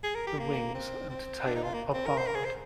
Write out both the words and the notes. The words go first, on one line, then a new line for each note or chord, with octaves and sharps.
The wings and tail are barred.
G#4
A#4
G4
A#3
C4
C4
D4
D#4
F4
A#3
C4
A#4
C5
A#4
G#4
C5